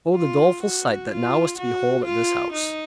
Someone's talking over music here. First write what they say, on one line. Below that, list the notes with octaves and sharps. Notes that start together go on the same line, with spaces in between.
Oh the doleful sight that now was to behold at this house!
F4
F#4
F4
F#4
F4
D#4